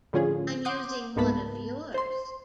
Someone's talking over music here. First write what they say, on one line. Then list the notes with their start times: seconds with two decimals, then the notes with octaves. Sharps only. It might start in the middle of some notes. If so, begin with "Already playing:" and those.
I'm using one of yours.
0.13 A2 D3 F3 C#4 F4 G#4
0.65 F#5 C6 D6 D#6 G6
1.16 C#2 G#2 A#3 B3 A5 B5
1.94 C5 C6